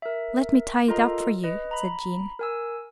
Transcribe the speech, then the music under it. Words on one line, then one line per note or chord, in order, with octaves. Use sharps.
"Let me tie it up for you," said Jean.
A#4 E5
F4 A4 A#4 D#5 A#5 C6
B4 D#5
A#5 B5
A#4 G#5 E6